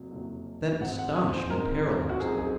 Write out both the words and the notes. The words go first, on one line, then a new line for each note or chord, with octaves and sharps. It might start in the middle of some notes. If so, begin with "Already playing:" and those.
Then astonishment paralysed me.
Already playing: F#1 F2 C3 F#3
F#1 F2 C3 F#3
G#2 F3 C4 D#4 F#5
F#5
G#5
C5
G#2 F3 C4 D#4 A#4
F#4
F#2 F3 C4 D#4 G#4
G#4